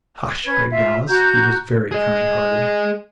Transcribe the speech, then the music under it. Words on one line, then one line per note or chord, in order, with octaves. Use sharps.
"Hush!" begged Alice, who was very kind-hearted.
C#4 B4 G#6
F4 E5
F#4 A#5 G6
G#4 D#5